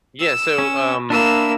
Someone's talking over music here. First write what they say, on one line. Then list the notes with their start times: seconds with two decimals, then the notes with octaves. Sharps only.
Yeah, so, um,
0.20 E6
0.58 C#4
1.10 A#3 D4 E4 E6